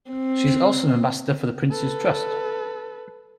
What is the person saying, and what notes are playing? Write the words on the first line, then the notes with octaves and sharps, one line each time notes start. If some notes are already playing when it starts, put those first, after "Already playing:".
She is also an ambassador for The Prince's Trust.
C4
A4 B4